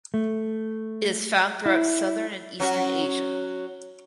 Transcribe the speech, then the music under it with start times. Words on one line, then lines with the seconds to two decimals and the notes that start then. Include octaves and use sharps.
It is found throughout southern and eastern Asia.
0.14 A3
1.66 E4
2.60 F#3 C#4 F#4